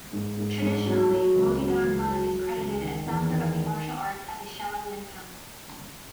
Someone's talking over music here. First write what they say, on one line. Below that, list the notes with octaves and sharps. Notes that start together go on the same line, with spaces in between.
Traditionally Bodhidharma is credited as founder of the martial arts at the Shaolin Temple.
G#2
G#2
G#2
F#3
F#3
C#2
F#3
C#2
F#3
F#3
C#2
D#3
E2
D#3